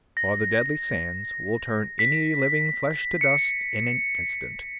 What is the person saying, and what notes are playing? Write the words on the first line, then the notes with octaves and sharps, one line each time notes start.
For the Deadly Sands will Turn Any Living Flesh to Dust in an instant.
A#6
B6
C#7